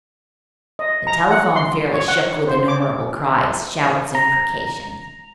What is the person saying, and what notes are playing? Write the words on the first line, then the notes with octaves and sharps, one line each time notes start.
The telephone fairly shook with innumerable cries, shouts, imprecations.
D#5
A#5
F#5
C6
C#5
F#5
C5
D6
A#5